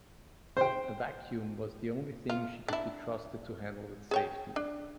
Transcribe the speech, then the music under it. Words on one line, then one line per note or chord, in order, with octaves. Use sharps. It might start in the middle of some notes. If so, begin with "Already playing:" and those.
A vacuum was the only thing she could be trusted to handle with safety.
C5 G5
F4
D4 E4
G#4 C#5 G5
D4